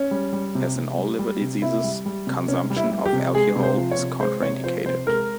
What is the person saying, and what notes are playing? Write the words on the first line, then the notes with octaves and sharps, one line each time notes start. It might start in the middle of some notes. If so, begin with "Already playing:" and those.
As in all liver diseases, consumption of alcohol is contraindicated.
Already playing: C#4
G3
G3
C3
C3
G3
G3
C3
C3 E4
G3
G3
C3
C3 C#4
G3
E4
G3
G4
C3
G#3 G#4
C3
C5
F3
C#5
C3
G#3 C5
C3 C#5
F3 C5
C3 C5
G#3 A#4